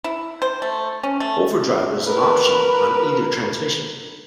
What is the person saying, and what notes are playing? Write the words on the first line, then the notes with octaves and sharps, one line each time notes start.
Overdrive was an option on either transmission.
E4
C5
A3
C#4
A3
A#4 B4